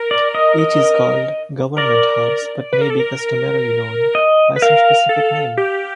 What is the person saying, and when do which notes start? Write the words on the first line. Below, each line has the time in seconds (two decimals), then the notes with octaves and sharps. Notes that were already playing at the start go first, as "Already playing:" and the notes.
Each is called "Government House", but may be customarily known by some specific name.
Already playing: A#4
0.11 D5
0.35 D#5
0.59 D#5
1.77 A#4 D5
2.73 B4
2.81 A#4
2.90 A4
3.00 A#4
4.15 D#5
4.56 B4
4.62 A#4 F5
5.09 A4
5.57 G4